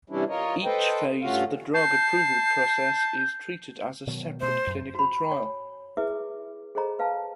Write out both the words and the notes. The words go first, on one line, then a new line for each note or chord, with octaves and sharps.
Each phase of the drug approval process is treated as a separate clinical trial.
C3 E3 G3 C#4 D4 E4
F4 A#4 C#5 D#5
A4 B4 C5 D#5 G5
G2 A3 C#4 F4 F#4 F5
A5 G6 C7
B2 D#3 F#3
B2 A3 C5
F#2
F#4 B5
C#5 G#5
E4 G#4 B4 E5 D6 D#6
G#4 A4 C5 D#5 A#5
B4 F5 G#5 A5